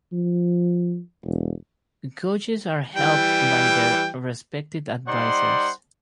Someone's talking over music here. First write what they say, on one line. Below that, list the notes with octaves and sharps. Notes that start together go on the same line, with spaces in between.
Coaches are helped by their respective advisers.
F3
E1
E3 G3 G5
G3 D#4 C5 D5 F#5 C6